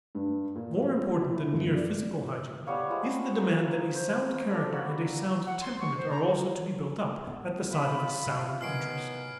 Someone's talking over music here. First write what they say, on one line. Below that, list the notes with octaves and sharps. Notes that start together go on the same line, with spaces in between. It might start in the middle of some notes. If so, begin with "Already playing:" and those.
More important than mere physical hygiene is the demand that a sound character and a sound temperament are also to be built up, at the side of a sound interest.
G2
A#2
F4
E4
G1
D5
G3 B3 C#5 F5
F3 G#3 B5
G#4 A#4 C5
C5
A4 D5
A#3 F#4 B5 E6
F#5
C6
C#6
C5
A#5
A2 B3
F4 B5
A2 C3 C5 E5
D#3 F#3 B3 G#5 F6 C7 D7